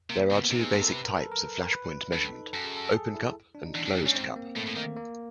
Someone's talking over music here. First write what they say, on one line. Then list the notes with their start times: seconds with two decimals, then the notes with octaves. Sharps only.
There are two basic types of flash point measurement: open cup and closed cup.
0.10 C3 A#3
0.30 C#3 B3
0.50 C3 D#4
0.61 G#4
0.71 A4
0.81 A#4
0.91 B4
1.05 A#4
1.18 A4
1.32 A#4
1.63 A#4
1.72 B4
2.13 G2 A4
2.33 D#4
2.53 F#2 A4
2.65 G#4
2.77 A4
2.88 A4
2.94 G#4
3.14 E4
3.55 D4
3.66 D#4
3.75 E2 D4
3.85 F2
3.95 G2 C#4
4.06 G#2 C#4
4.15 C4
4.36 A#3
4.56 A2 A3
4.66 A2
4.76 D#3 A#3
4.96 A#3